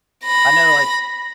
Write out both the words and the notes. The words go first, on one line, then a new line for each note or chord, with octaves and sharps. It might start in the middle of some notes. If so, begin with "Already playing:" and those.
I know, like
B5 A#6